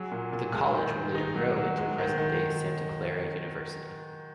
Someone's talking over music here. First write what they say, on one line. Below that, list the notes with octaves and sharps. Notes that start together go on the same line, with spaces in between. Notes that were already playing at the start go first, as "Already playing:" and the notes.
The College would later grow into present-day Santa Clara University.
Already playing: F#3 G#4
A#2
A#2
G#3
D#3
D#3
D#4
F#3
F#3
G#3
D#3
D#3